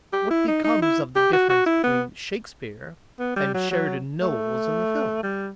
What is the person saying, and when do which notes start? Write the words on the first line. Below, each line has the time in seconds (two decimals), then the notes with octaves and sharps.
What becomes of the difference between Shakespeare and Sheridan Knowles in the film?
0.13 G4
0.30 E4
0.47 D#4
0.64 D#4
0.82 E4
1.16 G4
1.33 F#4
1.49 F#4
1.66 E4
1.84 B3
3.19 B3
3.36 G3
3.54 F#3
3.71 F#3
4.21 A3
5.23 G3